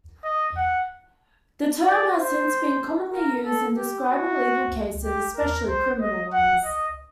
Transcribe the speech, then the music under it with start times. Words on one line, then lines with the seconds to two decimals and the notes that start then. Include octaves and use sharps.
The term has since been commonly used in describing legal cases, especially criminal ones.
0.24 D#5
0.57 F#5
1.84 D5
2.16 C5
3.12 A#4
3.44 A4
3.77 G4
4.08 F#4
5.04 G4
5.36 A#4
5.68 C5
6.00 D#5
6.32 F#5
6.64 D#5